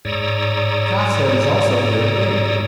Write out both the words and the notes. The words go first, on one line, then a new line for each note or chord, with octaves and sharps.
Calf's head is also good, baked.
G#2 C#5 D5 A#5 D#6 E6